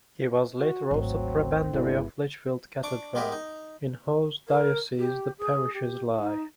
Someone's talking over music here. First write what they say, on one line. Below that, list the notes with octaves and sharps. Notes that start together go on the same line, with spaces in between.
He was later also Prebendary of Lichfield Cathedral, in whose diocese the parishes lie.
F#4
G#1 D2 F#3 C4
G1 B2 D3 G#3 E4
D4 C#6 D6
G#3 B3 G4 A#4 B4
D#4
A#4
G4
G#4
G4
D#4